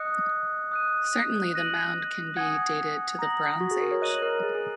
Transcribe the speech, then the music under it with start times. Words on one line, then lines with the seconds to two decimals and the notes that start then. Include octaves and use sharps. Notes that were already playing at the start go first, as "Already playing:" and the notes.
Certainly the mound can be dated to the Bronze Age.
Already playing: D#5 D#6 F#6 C#7
0.72 D#6 F#6 D#7
1.54 F#6 A#6 D#7 F#7
2.37 F#5 G#5 D#6 G#6
3.19 A#5 D#6 A#6 F#7
3.61 F#4
3.71 G#4
3.81 A#4
3.91 C#5
4.02 D#5 F#6 D#7 F#7
4.22 A#4
4.43 G#4
4.55 G#4